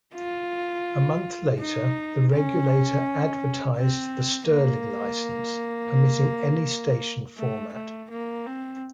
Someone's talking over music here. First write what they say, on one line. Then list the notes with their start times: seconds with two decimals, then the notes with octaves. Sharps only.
A month later, the regulator advertised the Stirling licence, permitting any station format.
0.15 F4
1.59 D#4
2.32 C#4
3.77 C4
4.48 A#3
7.37 A3
7.73 A3
8.10 A#3
8.46 C4